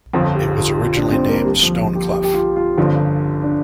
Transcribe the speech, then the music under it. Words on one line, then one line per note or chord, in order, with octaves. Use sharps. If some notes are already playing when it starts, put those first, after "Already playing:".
It was originally named Stoneclough.
G1 F2 F3 F4
G4
F4
F4
D4
C4
A#3
G3
F3
G4
G4
G4
F4
F4
G1 G2 D3 F3
D4